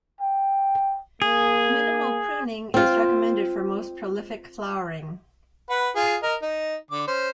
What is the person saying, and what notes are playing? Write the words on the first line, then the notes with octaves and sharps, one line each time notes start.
Minimal pruning is recommended for most prolific flowering.
G5
A#3 G#4
C4 F4
B4 F#5
F4 G#4
A#4 D#5
D#4
D3 D6
C#4 C5